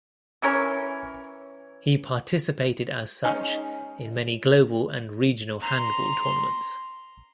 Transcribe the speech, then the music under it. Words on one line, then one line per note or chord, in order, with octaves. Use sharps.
He participated as such in many global and regional handball tournaments.
E3 C#4 A#4 C#5
G#3 C#4 D#4
A#5 C6